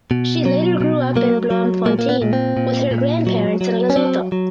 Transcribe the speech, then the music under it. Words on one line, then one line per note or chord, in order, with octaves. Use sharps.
She later grew up in Bloemfontein with her grandparents and Lesotho.
B2
F#3
B2
F#3 A#3
F#3
A#2 A#3
A#3
B3
A#2
C4
A#2
A#2
F#3
F#3
C#4
F#3 C4
F#3